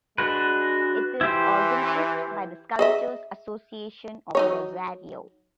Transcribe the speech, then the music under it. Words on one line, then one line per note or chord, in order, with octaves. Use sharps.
It is organized by the Sculptors Association of Rosario.
G#3 D4 F#4 B4
E3 E4 G4 C5
G#4 D#5 E5
F#3 D#4 C#5